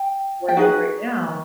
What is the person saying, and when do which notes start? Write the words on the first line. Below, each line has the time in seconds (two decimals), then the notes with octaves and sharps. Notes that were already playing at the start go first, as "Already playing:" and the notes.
Where I live right now,
Already playing: G5
0.48 G5
0.57 D#4 F#4 G#4 B4 F#5